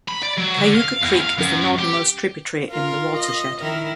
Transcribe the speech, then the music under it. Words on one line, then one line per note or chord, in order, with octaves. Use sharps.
Cayuga Creek is the northernmost tributary in the watershed.
B5
D5
F#3
D3
F5
E2
F5
F#2
G4
F4 A#4
D#5
D#3 E4 A#4